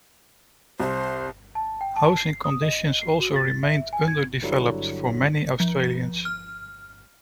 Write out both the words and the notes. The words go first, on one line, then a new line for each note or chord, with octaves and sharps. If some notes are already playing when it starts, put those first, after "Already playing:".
Housing conditions also remained underdeveloped for many Australians.
C2 C5
A5
G5
A5
C7
D#6
D#5
C7
F#4
A6
E5
G#5
G#6
G2 D3 F#3 G3 E4
F3
F6